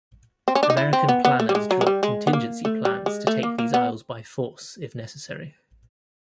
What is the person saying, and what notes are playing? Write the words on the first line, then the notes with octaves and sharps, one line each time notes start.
American planners drew up contingency plans to take these isles by force if necessary.
C4
C#4
D4
D#4
E4
C4
B3
B3
A3
G3
G#3
F#3
G#3
G3
G#3
B3
A#3
A3
G3
G#3
A3
A#3
A#3
B3